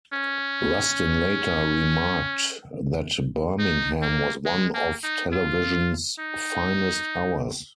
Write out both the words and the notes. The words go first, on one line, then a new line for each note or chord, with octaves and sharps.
Rustin later remarked that Birmingham was one of television's finest hours.
C#4
D#4
A#3
G#3
A#3
D#4
F4
D#4